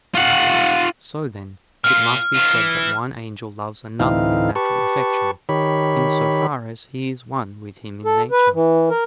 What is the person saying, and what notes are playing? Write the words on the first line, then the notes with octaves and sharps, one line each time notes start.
So then, it must be said that one angel loves another with natural affection, in so far as he is one with him in nature.
F4 F#5
A#2 F4 F6
D#3 F4
E3
D2 A2 E3 C4 D#4 F5
G4 B4 A5 C#6
D#3 G4 C#5 B5
A4
B4
E3
A#4